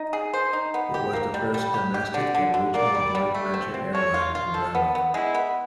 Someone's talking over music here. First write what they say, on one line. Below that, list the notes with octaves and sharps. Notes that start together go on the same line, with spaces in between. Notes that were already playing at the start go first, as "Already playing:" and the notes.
It was the first domestic and regional Joint Venture Airline in Burma.
Already playing: D#4
G#4
C5
D#4
B3
G4
A#3
G3
G3
G4
G4
D3 D5
D3
D3
A#3 D5
G3
G3
A3
C4
C4
A3 C#5
F4
F4
F3 A4
B3
B3
G#3 E4
B3